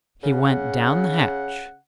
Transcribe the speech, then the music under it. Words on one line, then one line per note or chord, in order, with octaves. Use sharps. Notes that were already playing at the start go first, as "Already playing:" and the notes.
He went down the hatch.
C#3 F#5